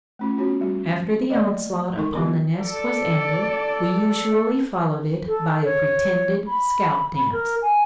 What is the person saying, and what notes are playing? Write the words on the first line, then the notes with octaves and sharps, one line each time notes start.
After the onslaught upon the nest was ended, we usually followed it by a pretended scalp dance.
A3 C#4 F4
B3 C#4 F#4 C#5
G3 F#4
A3 A#3 D5 D#5
G#3 D#4 A4 A#4 C#6
D3 F3 F#3 B3 F4 G4
A4 D5
A4
C#5
B5
B5
A#4
G#5